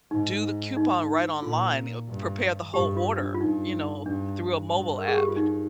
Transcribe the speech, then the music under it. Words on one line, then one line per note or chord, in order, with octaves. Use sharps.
do the coupon right online, uh, prepare the whole order, you know, through a mobile app,
G#2 D#4
D#4
A#2 F4
G2
G2 G4
F4
D4
F4
G2 D#4
G2 D4
G2
A#4
G#4
G4
F4
D#4